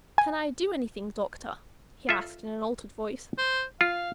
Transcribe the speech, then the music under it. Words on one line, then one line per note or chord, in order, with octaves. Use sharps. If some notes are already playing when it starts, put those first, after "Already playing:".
'Can I do anything, Doctor?' he asked, in an altered voice.
G#5
F4 A4 E5
C5
F4 F5